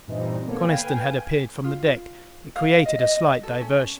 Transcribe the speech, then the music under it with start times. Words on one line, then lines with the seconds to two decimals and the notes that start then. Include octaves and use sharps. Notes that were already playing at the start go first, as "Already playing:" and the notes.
Coniston had appeared from the deck; it created a slight diversion.
0.08 G2 A#2 E3 C4 D#4
0.46 D3 A#3 B3 A4 C#5
0.62 B4 F5 G5 G#5
1.64 F4
2.56 F5
2.86 D#5
2.99 D#5
3.43 A4
3.61 C#4